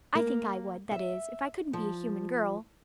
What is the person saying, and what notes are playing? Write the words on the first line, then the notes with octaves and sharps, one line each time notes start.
I think I would--that is, if I couldn't be a human girl.
A#3
E5
F3